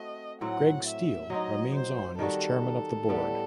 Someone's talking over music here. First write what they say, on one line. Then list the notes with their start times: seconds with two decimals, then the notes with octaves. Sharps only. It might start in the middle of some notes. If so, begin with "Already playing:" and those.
Greg Steil remains on as chairman of the board.
Already playing: A3 C4 F#4 D#5
0.41 A2 F#3 C4 F#5
0.86 E5
1.30 F#3 C4 D#4 D#5
1.75 C5
2.19 D#3 G3 D#4 F#4 A4
3.09 A2 G3 B3